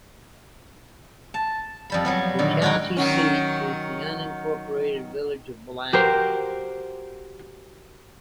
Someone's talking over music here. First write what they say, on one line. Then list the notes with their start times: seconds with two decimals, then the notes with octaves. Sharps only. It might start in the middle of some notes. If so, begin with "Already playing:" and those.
The county seat is the unincorporated village of Bland.
1.34 A5
1.90 F2 G3 B5
2.05 F#3 G3 B3
2.39 A#2 D3 D#3
2.62 G#3 D#4 F#4 B4 G5
2.97 D#3 F#3 C#4
5.93 F#4 G4 A#4 C5